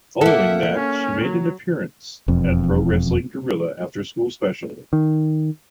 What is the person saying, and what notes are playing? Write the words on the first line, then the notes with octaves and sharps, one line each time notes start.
Following that, she made an appearance at Pro Wrestling Guerrilla After School Special.
A#3 A4 E5 F#5
C#4
F#3
E1 F2
D#3